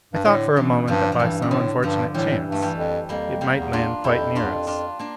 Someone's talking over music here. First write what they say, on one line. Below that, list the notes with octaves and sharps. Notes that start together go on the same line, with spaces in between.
I thought for a moment that by some unfortunate chance it might land quite near us.
G2
A2 D3
C#3 E3
G2 D3 F3
F3
G2 E3 G3
C#3
A2 D3
G2 D3 F3
A2 E3 G3
G2
A3
E3 G3
F2
F2 G3 A#3
G3 A#3
E2
D4 F4
F2 E4 G4
D4 F4
E2
F2
D4 F4
A#3 D4